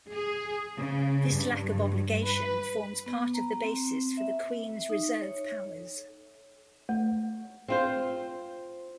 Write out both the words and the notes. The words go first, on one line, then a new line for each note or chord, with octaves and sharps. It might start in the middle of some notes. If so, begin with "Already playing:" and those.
This lack of obligation forms part of the basis for the Queen's reserve powers.
G#4
C#3
G2
B4
B3
A#5
C4
E5
D#4
C#5
A3
C4 F4 C5